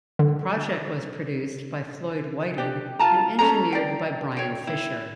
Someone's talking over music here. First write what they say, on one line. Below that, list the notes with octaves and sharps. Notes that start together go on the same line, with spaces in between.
The project was produced by Floyd Whited and engineered by Brian Fisher.
D3
D4 G4
F4 A5 A#5
C#4 D4 A4 A#5
D5 G5
C#5 G5
E4